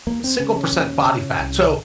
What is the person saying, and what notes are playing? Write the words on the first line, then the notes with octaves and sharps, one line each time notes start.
single percent body fat. So,
D#2 A#3
C4
C#3 C#4
C#4
D#2
C#3
C2